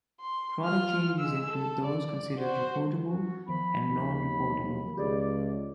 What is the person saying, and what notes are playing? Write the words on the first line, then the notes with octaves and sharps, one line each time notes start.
Product changes include those considered reportable and non-reportable.
C6
F4 F6
G#3 E6
A4
D5
F#4 C5
F#4
D#3 F3 B3 B5
D#2
C#2 G4 G#4 D5